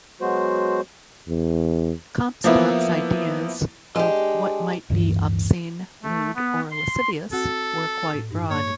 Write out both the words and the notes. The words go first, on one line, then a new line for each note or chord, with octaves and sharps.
Comstock's ideas of what might be "obscene, lewd, or lascivious" were quite broad.
F#3 G#3 B3 F#4 C5
E2
F3 A#3 B3 E4
G#3 D4 G4
D1 G2 E3
A3
B3
C6
C4 F#4 A4 F#5
A2
G2 D#4
A#3 C#5